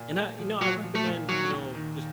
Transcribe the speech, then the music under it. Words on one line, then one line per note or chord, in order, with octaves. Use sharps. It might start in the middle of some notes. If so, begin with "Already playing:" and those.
And I you know, I recommend, you know, just
Already playing: A#2
A3
F3
A#2 F#3
F3
A3
A#2
D#3 F#3
D#2
D#3